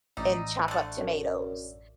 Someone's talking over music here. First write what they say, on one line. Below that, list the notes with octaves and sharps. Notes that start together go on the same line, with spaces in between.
and chop up tomatoes,
A1 D#4 D5 E5
D3 A3
F#2